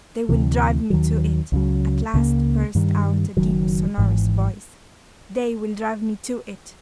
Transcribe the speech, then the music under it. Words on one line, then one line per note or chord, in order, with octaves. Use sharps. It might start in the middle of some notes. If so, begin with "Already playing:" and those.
'They will drive me to it!' at last burst out a deep sonorous voice. 'They will drive me to it....
D2 C3 E3
D#2 D#3 F#3
C#2 C#3 F#3
C#2 C#3 F3 A#3
G2 D#3 G3
F#1 F#2 D#3 F#3
G#1 G#2 E3